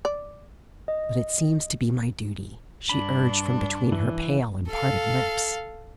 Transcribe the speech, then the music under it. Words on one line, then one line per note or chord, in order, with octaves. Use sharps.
"But it seems to be my duty," she urged from between her pale and parted lips.
D5
D#5
G2 D4 B5
E3
A4 F5